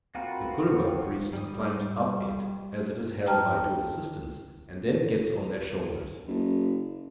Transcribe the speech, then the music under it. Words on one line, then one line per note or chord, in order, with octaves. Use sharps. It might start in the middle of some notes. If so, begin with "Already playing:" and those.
The Kuruba priest climbs up it, as it is held by two assistants, and then gets on their shoulders.
C4 F4 F#4 A#4 B4
G3 D#6
G5 A5 A#5 F6
F#1